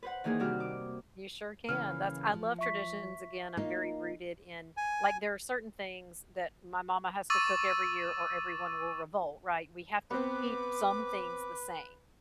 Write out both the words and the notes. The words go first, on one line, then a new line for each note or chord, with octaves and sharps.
You sure can, that's I love traditions. Again, I'm very rooted in like, there are certain things that my mama has to cook every year or everyone will revolt, right? We have to keep some things the same,
B4 C5 F#5
D#3 E3 A#3 D#4 G#4
C3 G3 F#4 F6
D6
C#3 E3 A#3 F6
F3
E5 C#6 B6
A#3 D#4 F4
G#5
C#6 D6 E6 A6 D#7
B3 C4 B4 D6